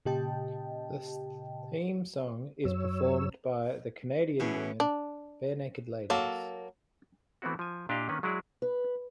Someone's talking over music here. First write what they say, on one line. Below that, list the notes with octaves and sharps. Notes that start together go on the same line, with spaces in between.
The theme song is performed by the Canadian band, Barenaked Ladies.
A#2 C#3 G4 D#5 G5 A5
F#2 F#3 C#5 E6
B2 E3 C#4 G#4
D4
F#3 A#3 A4
E3 A3 B3 C4 E4 F#4
F3 G#5
A#2 D4 E4 G4 D#5 F5
D#3 A#3 C#4 D4 B4 A#5
F#3 G#3 E4 G#4 D5
B4